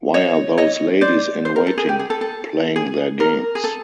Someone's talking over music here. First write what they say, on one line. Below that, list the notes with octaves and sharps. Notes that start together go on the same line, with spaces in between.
Why are those ladies-in-waiting playing their games?
C#5 D#5
C#5 D#5
C5 D5
C5
A#4
A4
G#4
G4
G#4
A4
A4
G#4
A#4
G#4
A4